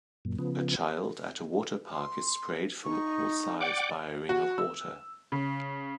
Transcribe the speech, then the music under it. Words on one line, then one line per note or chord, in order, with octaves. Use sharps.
A child at a water park is sprayed from all sides by a ring of water.
F#2 A#2
C#3 F3 B3
C6
D#4 C#6
D5 F#5 G5 D6
F#4
E6
C#3